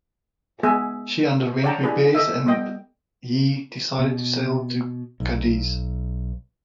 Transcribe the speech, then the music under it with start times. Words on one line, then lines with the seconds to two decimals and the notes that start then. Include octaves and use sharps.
She underwent repairs there and he decided to sail to Cadiz.
0.63 G#3 B3 G#4 E5 G#5
1.64 C#5 D5 F#5 G5 A5 A#5
1.83 D4 E4 G4 G#4 B4
2.15 A4 D#5 E5
2.46 G3 B3 D#5 G5
3.99 B2
5.20 B1